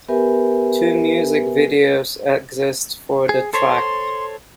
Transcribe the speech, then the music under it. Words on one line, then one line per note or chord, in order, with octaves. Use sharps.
Two music videos exist for the track.
B3 G4 A#4 B4 E5 G#5
G#4
A4 C5 C#5 C6